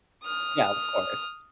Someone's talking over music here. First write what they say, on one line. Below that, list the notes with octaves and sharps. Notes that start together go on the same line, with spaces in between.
Yeah, of course.
D#6 F6